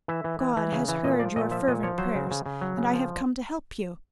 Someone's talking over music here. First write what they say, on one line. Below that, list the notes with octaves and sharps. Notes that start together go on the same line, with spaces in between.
God has heard your fervent prayers, and I have come to help you.
E3 E5
E3
E3
E3
C#3
E3
A#2 D#5
F3 D5
A#2 D#5
F3 E5
A#2 D#5
F3 C#5
F#3 C5
C#3
C#3
C#3
F#3
C#3
F3